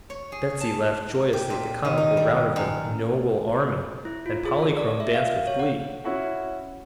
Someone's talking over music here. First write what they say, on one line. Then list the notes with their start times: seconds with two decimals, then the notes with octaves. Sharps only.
Betsy laughed joyously at the comical rout of the "noble army," and Polychrome danced with glee.
0.10 C#5
0.32 G#4
0.60 A5
1.33 G4
1.50 A#2
1.85 D#3
1.98 D#4
2.17 G3
2.56 F#2
4.05 E4
4.26 F4
4.46 G#4
4.63 A4
4.77 D5
5.00 E5
5.14 F5
5.47 C#5
5.59 F#5
6.04 C#4 E4 F#4 F#5